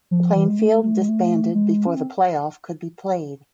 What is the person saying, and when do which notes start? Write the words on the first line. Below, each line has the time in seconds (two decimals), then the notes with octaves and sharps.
Plainfield disbanded before the playoff could be played.
0.11 F3
0.35 E3
0.48 G#3
0.59 A3
0.83 A3
0.96 G#3
1.09 A3
1.55 G#3
1.87 C#4
1.97 C4